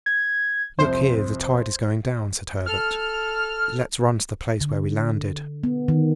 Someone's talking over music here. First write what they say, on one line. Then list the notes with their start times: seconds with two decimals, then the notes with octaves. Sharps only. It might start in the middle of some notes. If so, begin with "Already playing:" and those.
"Look here, the tide is going down," said Herbert; "let's run to the place where we landed."
0.06 G#6
0.79 C2 F2 C5
2.66 A4 F6
4.61 D3
5.64 B3
5.88 D#3